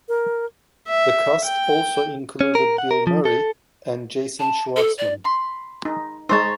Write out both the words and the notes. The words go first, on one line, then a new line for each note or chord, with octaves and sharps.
The cast also included Bill Murray and Jason Schwartzman.
A#4
E5
G5
C#4
A#4
F#5
A#4
F3
A4
A5
A4
D5
B5 C6
D#4
G#3 D#4 C5 C#5 A5